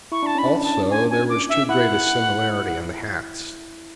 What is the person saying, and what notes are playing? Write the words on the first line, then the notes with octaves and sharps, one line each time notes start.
Also, there was too great a similarity in the hats.
E4 C#6
D4 A5
C#4 B5
D4
A5
G#5
G#5
D6
E5
E4 F#5